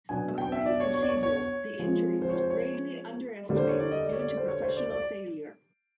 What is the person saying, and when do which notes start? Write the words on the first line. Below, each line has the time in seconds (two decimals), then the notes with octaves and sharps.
According to Czyz, the injury was gravely underestimated due to professional failure.
0.09 B2 F#3 B3 D4 G#5
0.38 G5
0.52 E5
0.66 D5
0.80 C#5
0.94 C#5
1.03 D5
1.08 C#5
1.23 C#5
1.36 C#5
1.79 F3 G#3 C4 F4
2.22 C5
2.29 C#5
2.36 C5
2.50 C#5
3.49 D3 G3 A#3 D4
3.57 C5
3.68 C#5
3.80 D5
3.91 D#5
4.06 D5
4.12 C#5
4.19 D5
4.37 C5
4.48 C#5
4.62 C5
4.77 D5
4.90 D5